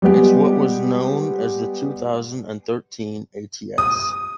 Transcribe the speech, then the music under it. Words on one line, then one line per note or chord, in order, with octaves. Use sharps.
It’s what was known as the two thousand and thirteen ATS.
G3 G#3 B3 G4
D#6